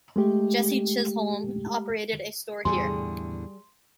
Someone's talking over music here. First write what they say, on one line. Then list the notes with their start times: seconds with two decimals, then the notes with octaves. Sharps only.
Jesse Chisholm operated a store here.
0.16 G#3 A3 G4
2.65 E2 A2 D3 G3 G#4 C6